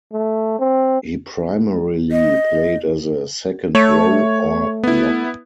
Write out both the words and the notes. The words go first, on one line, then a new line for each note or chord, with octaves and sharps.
He primarily played as a second row or lock.
A3
C4
D#5
A3 C#5
B3 E4